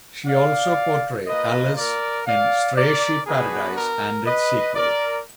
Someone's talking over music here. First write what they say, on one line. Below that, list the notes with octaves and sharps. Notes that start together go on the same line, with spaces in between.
She also portrayed Alice in "Stray Sheep Paradise" and its sequel.
D5 F5
A#3 F4 B4 D#5
A#4 D5
D5 F5
A#4 D5
B3 D4 F#4 G#4 B4
A#4
B4 D#5
A#4 D5